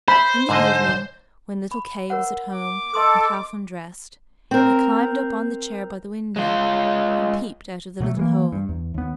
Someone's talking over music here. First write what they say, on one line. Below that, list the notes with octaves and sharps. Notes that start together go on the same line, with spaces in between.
In the evening, when little Kay was at home, and half undressed, he climbed up on the chair by the window, and peeped out of the little hole.
C5 B5
G#2 D3 D#5
B5
A#4 C#5 F#5
D6
A4 D#5 C6 D#6
C4 A#4
G#3 F4
B2 F#3 G3 A3
E3 G#3 A#3
G2
E2
D#2 B3